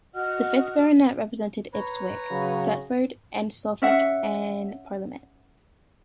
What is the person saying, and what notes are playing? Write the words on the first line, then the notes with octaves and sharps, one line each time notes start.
The fifth Baronet represented Ipswich, Thetford and Suffolk in Parliament.
F#4 D#5 F#5 F6
B4 C#5 A#5
C#3 F#3
C#4 E5 F#5